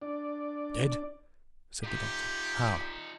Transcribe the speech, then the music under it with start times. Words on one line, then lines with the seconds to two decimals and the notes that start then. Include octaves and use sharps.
"Dead!" said the doctor, "how?"
0.02 D4 D5
1.84 D#4 F4 G4